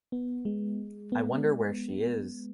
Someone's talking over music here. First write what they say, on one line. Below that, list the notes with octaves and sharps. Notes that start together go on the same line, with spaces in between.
I wonder where she is!
B3
G#3
B3